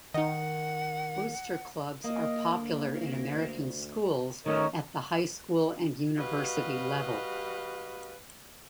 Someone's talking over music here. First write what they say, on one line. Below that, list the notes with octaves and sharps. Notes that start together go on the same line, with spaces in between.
Booster clubs are popular in American schools at the high school and university level.
D#3 D#4 D#5 F#5
A#3 D#5
D2
D#3 A3 C#4 A#4 C#5 D#5
G3 F#4 G4 B4 D#5 F5